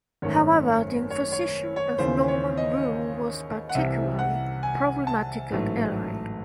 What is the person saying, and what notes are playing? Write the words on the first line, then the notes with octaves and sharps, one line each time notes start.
However the imposition of Norman rule was particularly problematic at Ely.
G#1 F#2 D#3 A3 C#5
C#5
C#5
C#5
D#2 C#3 E3 C5
C#5
D#5
F#5
C2 C3 E3 E5
F#5
G#5
A5
A1 G#2 F#3 A3